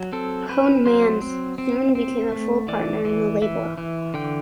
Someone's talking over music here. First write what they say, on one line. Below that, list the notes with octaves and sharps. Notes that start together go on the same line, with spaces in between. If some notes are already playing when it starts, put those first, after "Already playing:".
Poneman soon became a full partner in the label.
Already playing: F#3
C4 A4
C4 B4
F#3 C5
C4
C4
C4
A3
E3 D5
E3
E3 E5
E3
D3 G5